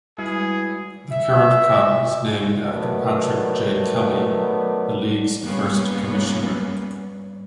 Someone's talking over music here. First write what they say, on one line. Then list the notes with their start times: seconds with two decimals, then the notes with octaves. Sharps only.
The current cup is named after Patrick J. Kelly, the league's first commissioner.
0.18 G3 G#3 E4 F#4 G#4 B4
1.12 E5
2.65 D#3 F#3 A3 B3 D4
5.43 E2 G2 A#3 B3 C#4